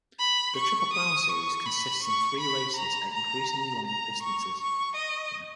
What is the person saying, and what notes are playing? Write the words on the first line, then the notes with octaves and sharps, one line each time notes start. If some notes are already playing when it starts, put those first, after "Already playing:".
The Triple Crown series consists in three races at increasingly longer distances.
B5
C#6
D#6
C#6
B5
C#6
B5
A#5
A#5
A#5
C#6
C#6
D#5